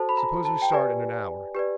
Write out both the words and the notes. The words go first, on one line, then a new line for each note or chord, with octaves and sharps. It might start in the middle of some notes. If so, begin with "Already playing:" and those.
Suppose we start in an hour.
Already playing: F#4 A4 C5 A5
B5
A#5
A5
G5
G4 B4 D5 G#5
G4 B4 D5